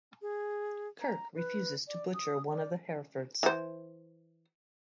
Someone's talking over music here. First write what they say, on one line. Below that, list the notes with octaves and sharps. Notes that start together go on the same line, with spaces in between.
Kirk refuses to butcher one of the Herefords.
G#4
A#5
B4
D5
D#6
D5
E3 C5